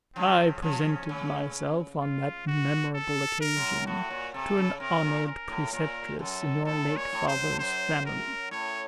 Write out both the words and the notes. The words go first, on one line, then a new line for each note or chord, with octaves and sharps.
I presented myself on that memorable occasion to an honored preceptress in your late father's family.
C#3 F3 C4
C#3 F3 C#4
C#3
F4
F#4
A4
A#4
F#2
A2 F#4
A#2
C3 A4
C#3
C3 A#4
A#2
A#4
A2
A#2 A#4
F#2 A4
A2 A4
A#2
C#5
A2
C5
F#2
A2
F#2 C5
A#4
A2 C#5